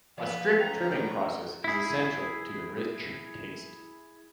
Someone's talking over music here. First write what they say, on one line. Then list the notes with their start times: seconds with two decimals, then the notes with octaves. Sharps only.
A strict trimming process is essential to the rich taste.
0.18 E2 F3 B3 B4 D5
0.60 C#4 G5 A#5 F7
0.91 B3 D4 F#4
1.64 E4 G#4